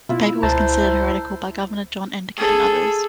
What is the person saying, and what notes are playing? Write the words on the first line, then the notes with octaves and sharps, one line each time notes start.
The paper was considered heretical by Governor John Endicott and others.
B2 E4 F4
C#2 C5 A5 A#5
G#4 A4